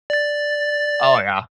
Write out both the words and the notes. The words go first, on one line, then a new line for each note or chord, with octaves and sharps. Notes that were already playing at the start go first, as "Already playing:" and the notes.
Oh, yeah.
D5 A6